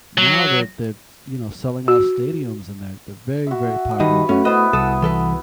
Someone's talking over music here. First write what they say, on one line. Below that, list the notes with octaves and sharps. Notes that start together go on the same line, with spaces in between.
now they're they're t you know, selling out stadiums, and they're they're a very, very popular band.
F#3
F#4
F#4 E5
G2 D#3 D#4 G4 B4 D#5
A3 C#4 F#4
B3 E4 C5 D#5
C2 A4 F#5 D#6
E3 A4 B4